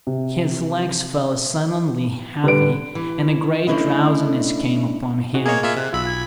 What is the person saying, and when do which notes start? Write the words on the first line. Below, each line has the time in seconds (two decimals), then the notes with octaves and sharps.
His legs felt suddenly heavy and a great drowsiness came upon him.
0.07 C3
2.44 D3 G3 B4 D7
2.95 E3
3.67 A3 A#3 C#4 D4 E4 D#5
5.34 D#4 F#4 G#4
5.46 A#3 G#4 C#5 D#5 G#6
5.63 A#3 F4 E5 G#6
5.77 C3 F#6
5.93 B1 F4 B5 E6
6.06 G#6